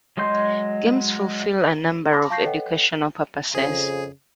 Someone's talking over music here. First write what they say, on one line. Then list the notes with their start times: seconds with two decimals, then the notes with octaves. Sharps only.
Games fulfill a number of educational purposes.
0.17 F#3 G#3 D#5 C6 G6
2.12 A5 B5 C6 D6 F6 A#6
2.30 F5 A5 C#6 G6 A#6 C7
2.43 A4 B4 C#5 D#5 F#5 G5
3.55 F2 C#3 G#4